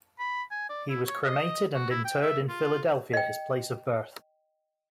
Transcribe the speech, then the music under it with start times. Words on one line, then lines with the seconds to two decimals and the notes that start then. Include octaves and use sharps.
He was cremated and interred in Philadelphia, his place of birth.
0.19 B5
0.51 G#5
0.70 D5
0.90 E4
1.06 C#5
1.25 D#5
1.74 F#4
1.91 E4
2.05 G5
2.22 E5
2.49 F4
3.13 D#5 G5